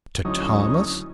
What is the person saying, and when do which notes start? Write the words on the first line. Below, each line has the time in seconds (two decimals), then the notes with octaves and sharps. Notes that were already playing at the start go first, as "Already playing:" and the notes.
To Thomas!
0.25 D2 F#3 C#4 D#4 E4